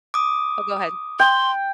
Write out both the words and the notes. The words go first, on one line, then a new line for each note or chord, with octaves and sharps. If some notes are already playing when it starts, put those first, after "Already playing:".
Oh, go ahead.
D6 D#6
G5 C6